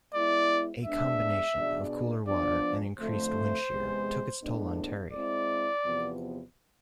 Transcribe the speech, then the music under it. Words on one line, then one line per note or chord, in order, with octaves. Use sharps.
A combination of cooler water and increased wind shear took its toll on Terry.
G#3 B3 E4 D5
G#3 B3 D4 E5
B2 B3 D4 G#4 D5
F3 B3 D4 D5
F2 D3 A3 C5
E2 C3 G#3 B3
A2 G#3 B3 D4
G#3 C4 E4 D5
E2 C3 F3 B3